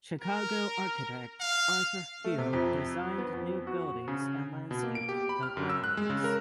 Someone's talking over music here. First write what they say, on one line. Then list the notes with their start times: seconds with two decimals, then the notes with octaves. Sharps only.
Chicago architect Arthur Heun designed new buildings and landscaped the grounds.
0.21 A#4
1.40 F5
2.24 A3
2.38 C3
2.53 F2
3.18 B3
3.34 F2
3.67 F#4
4.08 C#3
4.71 B2
4.83 A#3
4.95 D7
5.09 G4
5.29 B5
5.43 F6
5.57 F#2
5.70 E6
5.84 F#6
5.97 G#3
6.10 C#3
6.24 A#4